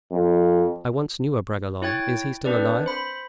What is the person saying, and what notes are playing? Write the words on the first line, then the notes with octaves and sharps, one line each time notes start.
"I once knew a Bragelonne--is he still alive?"
F2
E4 C#5 G5 G#6 A6
C4 D4 B4 D5
C5 B5